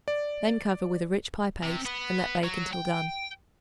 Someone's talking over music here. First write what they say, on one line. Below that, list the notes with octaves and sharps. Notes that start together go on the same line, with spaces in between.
Then cover with a rich pie-paste and let bake until done.
D5
C3
B3
F#3
G5